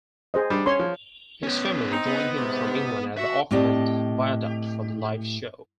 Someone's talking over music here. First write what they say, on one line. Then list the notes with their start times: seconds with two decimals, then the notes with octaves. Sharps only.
His family joined him from England at the Auckland Viaduct for the live show.
0.34 G#4 C5 D#5
0.50 G3 D4
0.66 C#4 C#5 C6
0.80 F3
1.43 B3 C#4
1.91 C4 D#4
2.06 B3
2.35 G#2 C3
3.18 F#4 E5
3.51 A2 C4 G4 D5 D#5 A5